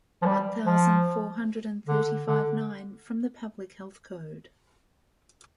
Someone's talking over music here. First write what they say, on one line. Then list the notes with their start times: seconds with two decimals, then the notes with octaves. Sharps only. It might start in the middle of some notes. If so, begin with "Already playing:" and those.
One thousand four hundred and thirty-five-nine from the Public Health Code.
0.22 F3
0.26 G3
0.66 F3
1.87 D3
2.27 D3